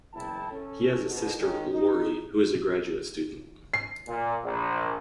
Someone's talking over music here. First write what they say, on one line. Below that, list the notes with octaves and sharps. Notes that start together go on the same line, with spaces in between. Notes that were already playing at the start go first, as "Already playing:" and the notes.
He has a sister, Lori, who is a graduate student.
F#1 E2 E4 G5 A5
C#4 A4
G#2 B2
D#3 G#3 C#4
D#4
C7
A#2
A#1